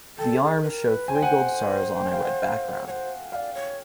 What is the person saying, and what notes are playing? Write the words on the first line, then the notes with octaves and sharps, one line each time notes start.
The arms show three gold stars on a red background.
A4 G5 A5
G#4
B4
A#4
B4
C5 G#5
G5
F#5 G#5
G5
G#5
F5 G5
F#5
F5
F#5
C5 C#5 F#5
D5 E5 F5
C#5